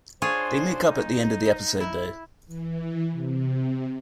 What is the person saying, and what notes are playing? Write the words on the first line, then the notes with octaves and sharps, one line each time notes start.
They make up at the end of the episode though.
D4 F4 G#4 C5 C#5
D#4
E4
E3
C3